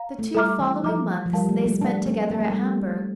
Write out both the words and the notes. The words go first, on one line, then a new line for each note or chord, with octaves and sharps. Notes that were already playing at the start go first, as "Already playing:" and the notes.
The two following months they spent together at Hamburg.
Already playing: F5 A#5
A3
G3 A4 E5 A#5 D6 F6
E3
F3 A4 E5 A#5 D6 F6
F3
G3 A#4 F5 A5
A3
G3 A#3
A#3 D4 A#4 F5 A5
A3 C4
A#3 A#4 E5 A5
A3
G3 A#3